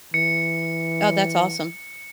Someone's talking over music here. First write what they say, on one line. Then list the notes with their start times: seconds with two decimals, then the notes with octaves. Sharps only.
Oh, that's awesome.
0.14 E3 C#7